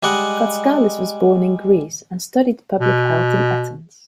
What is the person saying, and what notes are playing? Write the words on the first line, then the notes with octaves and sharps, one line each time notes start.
Vatskalis was born in Greece, and studied public health in Athens.
G3 G#3 D5 D#5 F#5
B2